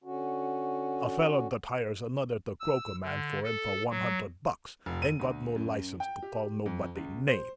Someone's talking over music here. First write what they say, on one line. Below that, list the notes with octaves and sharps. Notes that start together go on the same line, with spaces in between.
"A fellow that hires another to croak a man for him for one hundred bucks ain't got no license to call nobody names."
D3 C#4 F#4
E6
D3
A4
F#3
F1
D#7
D2
F#2
G5
G4
F2
C#2
C5